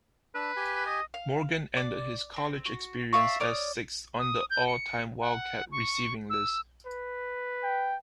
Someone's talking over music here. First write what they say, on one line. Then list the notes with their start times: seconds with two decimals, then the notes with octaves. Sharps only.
Morgan ended his college experience as sixth on the all-time Wildcat receiving list.
0.35 D4 B4 E6
0.57 G4 G#5
0.86 D#5
1.14 F5
1.77 D5
2.36 C4
2.66 F#4
3.13 D5 E5 F5 C#6
3.40 C#5 D5 D#6 F6
4.19 D#6
4.50 G6
4.67 C#7
5.21 F#5
5.72 C#6
6.30 E6
6.87 B4
7.63 G5